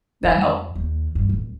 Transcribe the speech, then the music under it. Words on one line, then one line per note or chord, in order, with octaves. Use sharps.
that helped.
F2
D#2
G2
D1